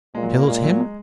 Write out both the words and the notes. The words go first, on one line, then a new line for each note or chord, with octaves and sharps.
"Killed him?"
A#2 G#3
F#3
A#3
A#2 G#3
F#3
G#3